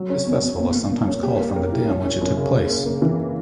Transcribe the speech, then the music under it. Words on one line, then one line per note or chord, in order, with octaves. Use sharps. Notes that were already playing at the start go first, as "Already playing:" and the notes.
This festival is sometimes called from the day on which it took place.
Already playing: F#3
C#4
E2
E2
A#2
A#2
A#2
C#4
G4
A#3
A#4
E4
C#4
C#4
F#2
C#3
C#3
A#3
A#3
E3